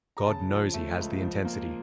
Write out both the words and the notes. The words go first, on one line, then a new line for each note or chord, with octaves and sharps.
God knows he has the intensity.
A#5
C#3 A5
F3
A3
C#2
F3
A#3